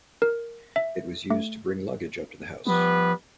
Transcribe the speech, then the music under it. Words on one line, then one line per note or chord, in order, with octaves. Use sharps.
It was used to bring luggage up to the house.
A#4
E5
A3
F3 G3 B3 B4